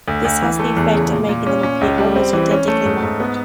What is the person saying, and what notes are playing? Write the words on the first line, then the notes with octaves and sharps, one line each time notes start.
This has the effect of making them appear almost identically marked.
D2
D2
E3
A3
E2
C#3
A#2
A#2
C#4
C#4
C#2
G3
C4
E3
C#4
A3
G#2
G#2
B3